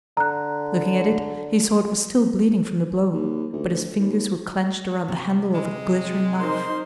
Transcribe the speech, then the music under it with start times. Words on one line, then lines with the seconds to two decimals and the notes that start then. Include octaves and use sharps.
Looking at it, he saw it was still bleeding from the blow, but his fingers were clenched around the handle of a glittering knife.
0.17 D3 A#5 F#6
3.13 D#2
3.53 D2
3.99 D#2
5.08 C3
5.54 G#3
6.39 D#4 A#4 C5 C6